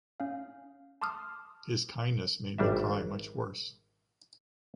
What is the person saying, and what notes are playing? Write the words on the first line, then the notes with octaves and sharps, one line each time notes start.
His kindness made me cry much worse.
C#4 F5
A5 C6 D6 D#6 F6
G#1 G3 D4 E5